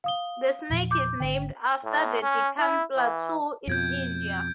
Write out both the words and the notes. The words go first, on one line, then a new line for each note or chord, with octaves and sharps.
The snake is named after the Deccan plateau in India.
F5 D#6 G7
E2 A#2 F3
D6 G6
G#1 D3 G5
A2
C#4
E4
E3
F2 B2 F3 G6 G#6 D7